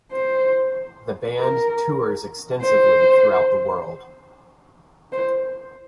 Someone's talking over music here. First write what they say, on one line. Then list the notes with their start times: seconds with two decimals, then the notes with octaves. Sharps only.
The band tours extensively throughout the world.
0.12 C5
1.37 A#4
2.62 C5
5.12 C5